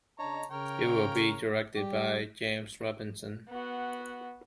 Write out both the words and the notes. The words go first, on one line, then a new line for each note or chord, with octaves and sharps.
It will be directed by James Robinson.
C#3 D4 C#5 D#5 A5 A#5
C#3 A#4 C#5 G5
G3 G4
B3 F#4